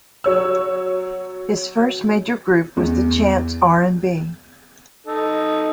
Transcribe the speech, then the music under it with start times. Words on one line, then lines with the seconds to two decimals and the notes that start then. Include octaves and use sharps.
His first major group was the Chants R and B.
0.24 F#3 C#5 E6
2.77 E2
5.07 D#4 A4